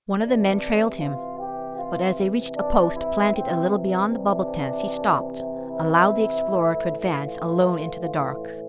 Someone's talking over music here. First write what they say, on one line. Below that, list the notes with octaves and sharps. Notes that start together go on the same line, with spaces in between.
One of the men trailed him, but as they reached a post planted a little beyond the bubble tents he stopped, allowed the explorer to advance alone into the dark.
C3 E3 D4
F4
G4
F4
D4
E4
C3 E3 C4
D4
E4
A2 E3
F4
F4